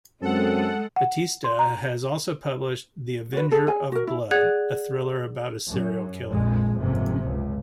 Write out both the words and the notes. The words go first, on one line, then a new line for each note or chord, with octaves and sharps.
Batista has also published "The Avenger of Blood", a thriller about a serial killer.
F#2 G#3 C4 A4 F#5
F#5
C6
A#5
F#4 B4
G#4 A4
G#4 G#5
F#4 A#4
E4
G#4 D5 F#5 F#6 G#6
F#2
A#1 F2 G#3
F#1 F2 G#2 C3
C#2